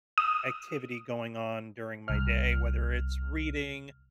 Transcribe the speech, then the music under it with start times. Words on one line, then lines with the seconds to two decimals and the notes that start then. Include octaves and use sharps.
activity going on during my day, whether it's reading
0.18 D#6
2.08 C2 F6